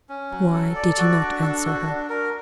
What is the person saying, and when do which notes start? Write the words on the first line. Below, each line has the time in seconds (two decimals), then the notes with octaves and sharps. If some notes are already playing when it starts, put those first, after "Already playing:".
Why did he not answer her?
0.09 C#4
0.31 F#3
0.53 A4
0.75 D5
0.98 F#4
1.20 D4
1.42 A4
1.65 F#4
1.86 D4
2.09 A#4